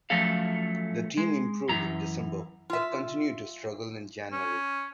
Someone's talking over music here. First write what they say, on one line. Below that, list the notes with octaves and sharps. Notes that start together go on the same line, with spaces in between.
The team improved in December, but continued to struggle in January.
F3 F#3 A3 C#4 A4 F5
G#3
F#2 E3 A#5
F4 E5
C#4